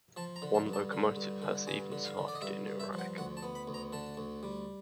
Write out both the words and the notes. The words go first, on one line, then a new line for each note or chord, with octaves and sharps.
One locomotive has even survived in Iraq.
F3 A5
A#5
D3
A5
G2
A5
D3
G2
D3
G2 G#5
D3
F5
D3
D5
D#5
G2 E5
G2
E5
F3
F#5
D2 F#5
A5
B3
B5
D2
A#5
D3 A5
D2
G3